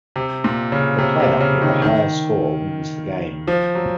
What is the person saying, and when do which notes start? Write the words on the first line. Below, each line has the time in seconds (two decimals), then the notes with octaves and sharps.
The player with the higher score wins the game.
0.16 C3
0.44 A#2
0.72 C#3
0.99 C3
1.20 C3
1.41 C#3
1.62 D#3
1.82 D#3
3.47 F3
3.75 F#3